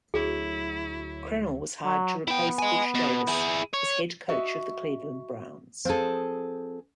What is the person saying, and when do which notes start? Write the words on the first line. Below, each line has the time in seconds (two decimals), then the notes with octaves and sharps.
Crennel was hired to replace Butch Davis as head coach of the Cleveland Browns.
0.14 D2 F#3 E4 G#4 C#5
1.85 F#3
2.28 B3 E4 G5
2.59 D#5 G#5
2.95 B2
3.28 E4 G#4
3.74 C#5
4.29 F#4 D#5 E5
5.85 F3 C4 G#4 A4